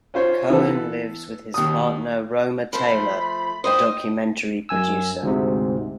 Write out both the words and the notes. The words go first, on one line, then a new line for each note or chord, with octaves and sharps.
Cohen lives with his partner Roma Taylor, a documentary producer.
C#4 F4 C5 C#5
E3 B3 A4
D#2 D#6
F3 A3 C5 B5
C5 D#5 G5 D#6
F#2 G#5 E6
D2 G#2 C3